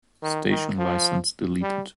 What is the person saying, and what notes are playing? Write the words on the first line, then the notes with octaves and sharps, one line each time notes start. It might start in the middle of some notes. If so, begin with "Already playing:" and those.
Station license deleted.
D#3
D#3
F3
G3